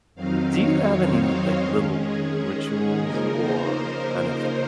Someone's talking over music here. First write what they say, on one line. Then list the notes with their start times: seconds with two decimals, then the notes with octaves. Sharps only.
Do you have any, like, little rituals or, kind of,
0.15 F2 D#3 F#3 C4 D#4 F5
0.50 C#5
0.86 C#5
1.22 C5
1.58 D#3 G#3 C#4
1.92 G#4
2.29 G#4
2.99 C#3 F3 A#3 D#4 A#4
3.35 C5
3.71 A#4
4.07 C5